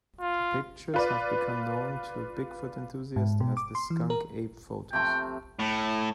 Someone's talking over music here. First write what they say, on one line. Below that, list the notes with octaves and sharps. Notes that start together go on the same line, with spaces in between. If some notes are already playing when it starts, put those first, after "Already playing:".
The pictures have become known to Bigfoot enthusiasts as the "skunk ape photos".
F4
F4 B4 D5
G#2
B2
D6
C6
E3
A#4
C3 F3 A3 G5
A2